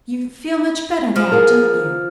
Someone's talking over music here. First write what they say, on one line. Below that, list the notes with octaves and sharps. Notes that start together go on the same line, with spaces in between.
'You feel much better now, don't you?'
F3
G#4 A#4